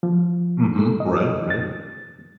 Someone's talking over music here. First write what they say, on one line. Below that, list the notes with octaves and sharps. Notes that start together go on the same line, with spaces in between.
Mhm, right, right.
F3
A3
D#5
A6